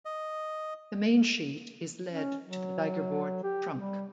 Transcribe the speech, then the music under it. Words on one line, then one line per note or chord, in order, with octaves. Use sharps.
The mainsheet is led to the daggerboard trunk.
D#5
C#4
F#3
G4
G3